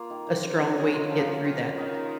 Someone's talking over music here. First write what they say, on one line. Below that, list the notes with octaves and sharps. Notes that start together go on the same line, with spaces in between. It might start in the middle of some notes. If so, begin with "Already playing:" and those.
a strong way to get through that
Already playing: A#3 F4
D#3
D#3
C#3
C#3
F#3 G#3
F4
F3 F#3
F4
D#3 F4
C#3
D#3 D#4
D#4